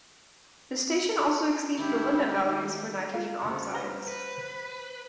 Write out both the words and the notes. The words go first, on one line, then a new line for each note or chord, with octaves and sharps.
This station also exceeds the limit values for nitrogen oxides.
D#3 G#3 D#4 E4 G4
F4 F5
F#1 D2 C5
G3 B3 A#5 F6 A#6 G7
B4